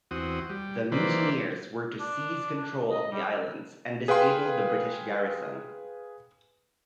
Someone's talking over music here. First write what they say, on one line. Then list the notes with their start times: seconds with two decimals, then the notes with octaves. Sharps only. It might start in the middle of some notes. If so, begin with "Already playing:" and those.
The mutineers were to seize control of the islands and disable the British garrison.
0.11 E2 C4 F#4 D#6
0.50 G3
0.92 D#3 E3 A#3 B4 C5 D5
2.00 D4
2.91 D#5
3.12 G3
4.08 G#4 B4 F5 G5 C6